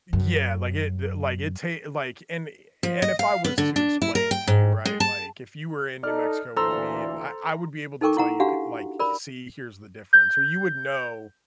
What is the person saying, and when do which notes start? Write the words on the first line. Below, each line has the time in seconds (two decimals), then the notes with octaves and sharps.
Yeah, like it, th like it ta like, and and if I was to explain to you, right, like, if you were in New Mexico with me, and I I would be able to tell you, c like, "See, here's the difference." Or you would know,
0.13 F#2
2.83 F3
3.02 D#5
3.19 F5
3.44 B3
3.58 D3
3.76 D4
4.02 E4
4.15 A#4
4.31 G5
4.47 G#2
4.85 G#3
5.00 A5
6.03 D#4 A4 D5 F6
6.56 D2 A#2 E3 A4 C5 A#5 C6 E6
8.01 D#4 A4 A#4 G5 C#6 D6
8.17 E4 F#5 A#5
8.40 D4 F#4 G4 F5 F#5
8.99 A#4 D5 B5
10.13 G6